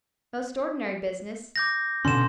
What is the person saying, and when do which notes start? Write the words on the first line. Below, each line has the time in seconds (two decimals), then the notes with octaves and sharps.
Most ordinary business.
1.56 D6 G6 A#6
2.05 B2 D3 C#4 C6 E7